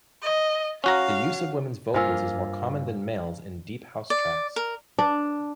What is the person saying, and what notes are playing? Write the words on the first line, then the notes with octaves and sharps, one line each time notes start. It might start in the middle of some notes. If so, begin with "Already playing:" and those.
The use of women's vocals is more common than males in deep house tracks.
D#5
C#4 F#4 F5 A#5
G2 A#3 F4 C5 G#5 E6
D5
A#4
D4